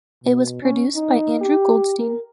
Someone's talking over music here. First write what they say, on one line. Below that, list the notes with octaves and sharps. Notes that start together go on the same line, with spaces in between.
It was produced by Andrew Goldstein.
B2
C#4
D#4
G4
A#4